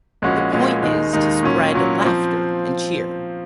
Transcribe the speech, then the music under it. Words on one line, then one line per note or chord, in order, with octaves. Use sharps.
The point is to spread laughter and cheer.
A#1 A#2 G#3 C#4 F#4
A#1 A#2 G#3 C#4 F#4
D#2 D#3 G#3 D#4
D#2 D#3 G#3 D#4
A#2 F#3 C#4
A#2 F#3 C#4
F3 C4